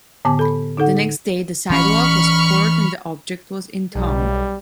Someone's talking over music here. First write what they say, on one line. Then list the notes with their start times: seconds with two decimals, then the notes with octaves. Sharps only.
The next day the sidewalk was poured and the object was entombed.
0.25 A2 D3 B3 G#5 A5 D6
0.39 A4 B5
0.77 D3 D#4 A4 F#5
1.70 E3 C#4 B5 C#6 F6
3.95 B1 G3